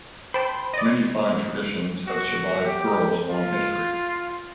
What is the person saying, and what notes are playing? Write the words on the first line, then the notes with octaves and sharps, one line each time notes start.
Many fine traditions have survived Girls' long history.
C5 G5 A5 B5 C6
D5 D#5
F#4
G4
F4